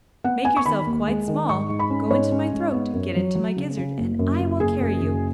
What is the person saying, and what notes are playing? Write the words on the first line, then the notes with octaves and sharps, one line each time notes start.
Make yourself quite small, go into my throat--get into my gizzard and I will carry you.'
B3 F#5
B3 G#5
C#6
D#3 B5
D#2
G#3
D#3
G#2 C#6
G#2
B5
C#4
G#2 C#5
C#4
G#2
B3
F#2
F#3
F#3
C#3
C#3
F#1
F#2
F#1
F#1 G#4
F#2
F#1